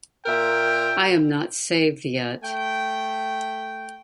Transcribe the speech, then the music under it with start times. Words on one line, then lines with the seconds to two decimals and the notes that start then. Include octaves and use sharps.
I am not saved yet.
0.26 A#2 A#4 E5 G5
2.43 A3 G5